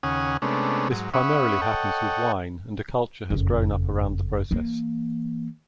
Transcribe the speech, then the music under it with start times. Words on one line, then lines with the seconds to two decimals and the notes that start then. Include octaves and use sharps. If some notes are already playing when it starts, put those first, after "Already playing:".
This primarily happens with wine and a culture has grown up around the process.
0.03 D#2 C#3 C#4 F#5 G#5 D#6
0.42 C3 G#3 A3 B3 C#4 D4
0.90 G#2 F#3
1.14 C#4 E5 F#5 B5 C#6 D#6
1.62 A4 C#5 D#5 F#5 G5
3.30 F#1 F2
4.51 E3 A#3